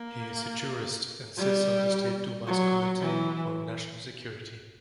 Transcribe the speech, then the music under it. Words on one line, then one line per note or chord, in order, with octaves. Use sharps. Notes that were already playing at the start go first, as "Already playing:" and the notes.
He is a jurist, and sits on the State Duma's Committee on National Security.
Already playing: A#3
G3
F#3
E3